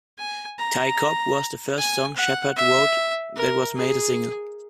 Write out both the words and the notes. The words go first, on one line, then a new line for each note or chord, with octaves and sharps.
"Ty Cobb" was the first song Shepherd wrote that was made a single.
G#5
A#5
G#5
F#5
E5
A#4
G#4